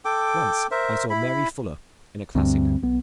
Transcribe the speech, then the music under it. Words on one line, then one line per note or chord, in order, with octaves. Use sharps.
Once I saw Mary Fuller in a classic.
A4 G5 D6
A#4 C5 E5
E4 B5
D2 G2 C4
B1 B3